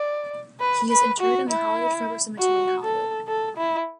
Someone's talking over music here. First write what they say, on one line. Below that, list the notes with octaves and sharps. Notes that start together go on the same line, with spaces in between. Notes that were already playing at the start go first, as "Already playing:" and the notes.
He is interred in the Hollywood Forever Cemetery, Hollywood.
Already playing: D5
B4
B4
F#4
E4
F#4
A4
A4
E4